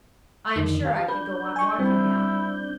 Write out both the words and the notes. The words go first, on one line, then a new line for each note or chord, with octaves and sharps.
I am sure I could go on walking now.
F2 D3 D#3 D#4
G4 F5 A5
D4 B4 G6
G#5 C#6
G3 C4 E4